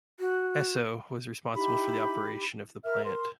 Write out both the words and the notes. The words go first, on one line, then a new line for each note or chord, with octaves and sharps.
Esso was responsible for the operation of the plant.
F#4
D#4 E4 G4 B5
A#4 E5 F6
A#4 C6